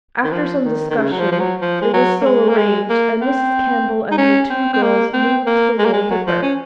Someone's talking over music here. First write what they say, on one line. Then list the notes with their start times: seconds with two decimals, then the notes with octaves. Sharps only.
After some discussion it was so arranged, and Mrs. Campbell and her two girls moved to the Little Dipper.
0.24 D#3
0.32 F3
0.65 D#3
0.90 D#3
0.97 C#3
1.12 F#3
1.19 F3
1.32 F3
1.40 F#3
1.62 F3
1.82 G#3
1.93 F#3
2.21 A#3
2.25 G#3
2.49 A#3
2.58 G#3
2.89 A#3
3.21 C4
4.11 D#4
4.18 C#4
4.50 C4
4.73 C4
4.83 A#3
5.14 C4
5.47 A#3
5.78 G#3
5.86 A#3
5.93 G#3
6.10 F#3
6.27 F3
6.43 C#4